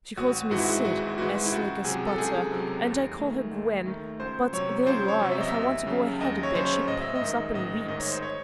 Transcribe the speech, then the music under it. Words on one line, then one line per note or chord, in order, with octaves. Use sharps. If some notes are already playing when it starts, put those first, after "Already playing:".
She calls me 'Syd' as slick as butter, and I call her 'Gwen'; but there you are--if I want to go ahead a bit she pulls up and weeps.
G#1 F#4
G#2 E3 G#3 F#4
E4
F#4
G#1 F#4
G#2 E3 G#3 F#4
E4
C#2 F#4
C3 F#3 G#4
A4
C#2 G#4
C3 F#3
D#2
D#3 A3
D#2
D#3 A3
C#2 C5
C3 F#3 C#5
C#2 C5
C#5
C3 F#3
E5
D#5
E5
D#2
C#3 F#3
D#2 D#5
C#5
C#3 F#3 C5
C#5
A1 D#5
E5
D#5
G#2 D#3
A1 D#5
G#2 D#3 D#5
C#5
C5
C#5